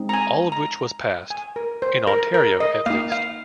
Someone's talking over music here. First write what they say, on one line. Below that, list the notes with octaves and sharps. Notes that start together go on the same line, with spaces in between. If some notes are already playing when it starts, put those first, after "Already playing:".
All of which was passed, in Ontario at least.
Already playing: G#3 C4 D#4
A#5
G#5
A#5
G#5
A#4
C5
A#4
A#4
D#5
A#3 D#4 F5
F5